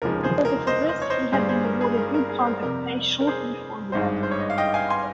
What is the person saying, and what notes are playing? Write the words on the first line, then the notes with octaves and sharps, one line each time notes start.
Further to this, he had been awarded Good Conduct pay shortly before the battle.
F1 D#2 C#3 F3 G#3 A#4
G#4 C5
A#4
C5 D#5
C5 D#5
C#5
C5 D#5
G1 G2 G3 G#4 C5
G#4 C5
A#4
G#4
A#4
A#4
G#4
C5
A#4
F2 C3 G3 A#4
A#4
G#4 C5
G#1 G2 D#3 G#3 C5 D#5
C5
C#5
D#5
F5
D#5 G5
F5 G#5
G#5 C6